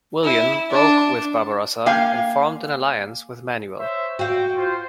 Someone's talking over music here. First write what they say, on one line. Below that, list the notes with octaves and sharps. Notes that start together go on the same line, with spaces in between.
William broke with Barbarossa and formed an alliance with Manuel.
E4
D4
A#3 F5 G5 G#5
C5 C#5 E5
F#4 F5 G5
F4 C5